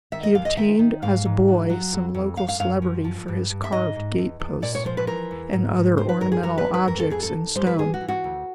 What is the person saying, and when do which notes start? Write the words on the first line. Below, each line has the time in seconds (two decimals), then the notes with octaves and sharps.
He obtained, as a boy, some local celebrity for his carved gate posts, and other ornamental objects in stone.
0.12 D#3 E5
0.23 D#5
0.35 D#2 F5
0.45 D#5
0.57 D#3 E5
0.79 D#3
1.02 G#2 F5
1.25 G#2
1.48 F#3
1.69 F#3
1.92 F2
2.14 F2
2.37 F#2 F5
2.48 F5
2.60 F#2 F5
2.82 F3
3.04 F3
3.28 G2
3.50 G2
3.64 E5
3.72 G#2 D#5
3.96 G#2
4.18 E2
4.40 E2
4.62 A#2 D5
4.75 C#5
4.85 F3 C5
4.97 B4
5.07 E3 A#4
5.31 E2
5.53 G#2
5.76 G#2
5.97 D#3 C5
6.09 B4
6.20 F#2 A#4
6.32 G#4
6.43 F#3 A#4
6.58 B4
6.66 D#2
6.74 B4
6.88 F2 A#4
7.00 A4
7.10 F2 G#4
7.23 A4
7.34 D#2
7.55 G3 C5
7.67 B4
7.78 G3 G#4
7.94 F#4
8.01 E3
8.08 F#4
8.24 D2